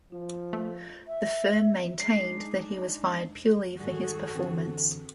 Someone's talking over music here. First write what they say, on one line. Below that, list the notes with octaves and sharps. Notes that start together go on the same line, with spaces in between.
The firm maintained that he was fired purely for his performance.
F3 F4
A3 B4
E5
G#3 D4 D#4 C7
G#2 D#3 G3 F#4 G#4 A4
D3 E3 C4